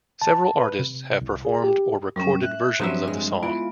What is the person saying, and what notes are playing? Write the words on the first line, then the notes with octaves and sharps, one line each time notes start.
Several artists have performed or recorded versions of the song.
A5
B4
C3
C2
G#4
G4
F#2 G3 C#4
E5 F#6
G2 F3 F#3 C4 E5
G#3
E3 B3 F4